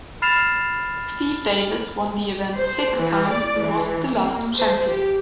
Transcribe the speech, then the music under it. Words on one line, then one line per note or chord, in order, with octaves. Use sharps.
Steve Davis won the event six times and was the last champion.
B5 F6 A6 C7 E7 F7
C5
E3
D5
E3
A#3
C5
G4